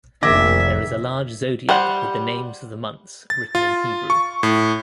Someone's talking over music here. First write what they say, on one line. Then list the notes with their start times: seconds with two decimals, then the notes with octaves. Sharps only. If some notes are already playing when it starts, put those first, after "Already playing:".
There is a large Zodiac with the names of the months written in Hebrew.
0.23 F1 A#1 D#3 E5 D6 G#6 A#6
1.69 G3 C5 F#5
3.30 A6
3.55 F4
4.10 C#6
4.43 A2